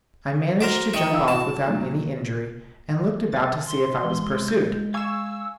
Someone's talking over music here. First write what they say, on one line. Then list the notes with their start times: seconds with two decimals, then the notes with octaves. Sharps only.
I managed to jump off without any injury, and looked about to see if I was pursued.
0.61 F#4 A#4 C5 D6
0.94 D#3 G5 C#6
1.11 E4 F5 E6
1.28 F#4 A5
1.67 A#2 F#3
3.32 G#5 A6
3.66 C6
4.04 E3 G#3
4.48 G6
4.94 F5 G#5 C#6 E6 G#6 E7